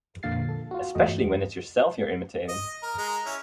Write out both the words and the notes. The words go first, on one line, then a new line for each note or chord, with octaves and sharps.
Especially when it's yourself you're imitating.
F2 A#2 D3 F5 A6 C7
A4
F4 F#4
E2 G2 A3 F#4 D#5
D#5
A#4
G#3 A#5
C#4 E4